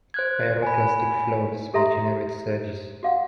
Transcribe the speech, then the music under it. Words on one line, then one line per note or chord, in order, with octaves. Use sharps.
Pyroclastic flows may generate surges.
C5 F#6 G#6
G#5 B5
G4 A4 E5 A#5 C6
F#4 F5 F#5